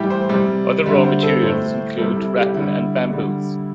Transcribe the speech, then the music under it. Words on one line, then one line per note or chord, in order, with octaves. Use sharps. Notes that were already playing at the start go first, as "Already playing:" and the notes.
Other raw materials include rattan and bamboos.
Already playing: A2 E3 G3 E4 G4
C5
C3 G3
D3 G3 E5
C5
A4
A2 A3 C5
C3 G3 A4
E4
G4
D3 G3 E4
D3 G3